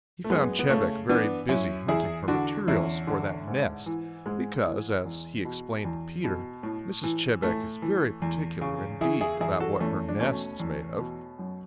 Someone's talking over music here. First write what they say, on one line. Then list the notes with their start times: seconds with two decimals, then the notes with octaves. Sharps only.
He found Chebec very busy hunting for materials for that nest, because, as he explained to Peter, Mrs. Chebec is very particular indeed about what her nest is made of.
0.24 A3
0.30 F#2 G#3 B3
0.59 B3
0.69 C#3 A3 C#4
1.09 E3 B3 D4
1.49 F#2 C#4 E4
1.88 E2 E4 G#4
2.28 D3 D4 F#4
2.68 E2 C#4 E4
3.07 D3
3.47 G#2
3.86 E3
4.26 G#2 G#3
4.66 E3
5.05 E2
5.45 B2
5.85 E2
6.24 B2
6.63 A2
7.04 E3
7.43 A2 A3
7.82 E3
8.22 E2
8.61 C#3
9.01 E3 E4 G#4
9.21 E4 G#4
9.41 E2 E4 G#4
9.60 F#4 A4
9.80 E2 A3 C#4
10.08 D4
10.20 B2 A3 C#4
10.60 E2
10.99 B2
11.39 F#2